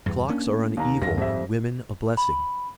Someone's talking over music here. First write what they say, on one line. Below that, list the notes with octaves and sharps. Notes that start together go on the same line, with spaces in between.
Clocks are an evil, women a blessing.
E2 G2
A#3 C#4 D4
D#2 A#5
G1 F#2 A#6
F2 G#2 G3 E5
B5